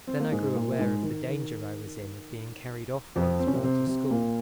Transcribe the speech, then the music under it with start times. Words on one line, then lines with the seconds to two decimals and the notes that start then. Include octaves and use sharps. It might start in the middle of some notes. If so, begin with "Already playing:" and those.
Then I grew aware of the danger I was in of being carried off once more to school.
0.07 C4
0.20 A#3
0.32 G#2 G#3
0.56 A#2 A#3
0.71 A#3
0.79 G#2 G#3
1.03 D#3
1.27 D#3
3.16 F2 F3
3.40 C4
3.47 C#4
3.53 C3 C4
3.63 C3 C4
3.87 C3 C4
4.11 A#2 A#3